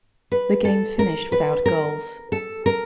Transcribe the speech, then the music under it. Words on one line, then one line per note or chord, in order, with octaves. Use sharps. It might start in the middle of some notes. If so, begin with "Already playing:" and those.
The game finished without goals.
B4
A4
A#4
B4
A#4
A4
A#4